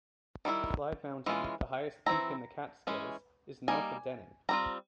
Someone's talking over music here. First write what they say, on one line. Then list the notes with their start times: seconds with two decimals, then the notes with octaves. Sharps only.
Slide Mountain, the highest peak in the Catskills, is north of Denning.
0.45 D#3 G3 B3 E4
1.26 E3 G#3 C#4 F4
2.06 E3 G#3 C4 E4 A#5
2.87 E3 G#3 C#4
3.68 G3 A#3 D#4 G#5
4.49 G3 C4 F4 A#5